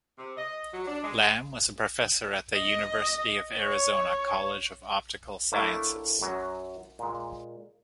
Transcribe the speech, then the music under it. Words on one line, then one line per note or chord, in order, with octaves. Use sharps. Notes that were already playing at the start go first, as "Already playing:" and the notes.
Lamb was a professor at the University of Arizona College of Optical Sciences.
C3
D#5
F#3
D4
G#3
D#5
C#5
A2 A3 A#3 D4 E4
F#2 F#3
A#2 G#3